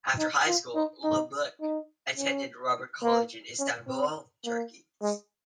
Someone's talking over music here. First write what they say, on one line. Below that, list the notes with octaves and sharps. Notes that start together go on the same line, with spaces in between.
After high school, Luebke attended Robert College in Istanbul, Turkey.
D#4
F4
D#4
D#4
D#4
C#4
A#3
C#4
C4
A#3
G#3